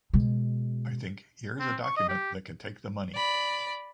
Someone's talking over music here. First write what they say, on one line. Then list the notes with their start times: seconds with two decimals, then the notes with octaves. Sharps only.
I think here is a document that can take the money.
0.14 B2 G#3
1.60 C4
1.84 C#6
1.97 D#5
2.09 G4
3.14 D5 B5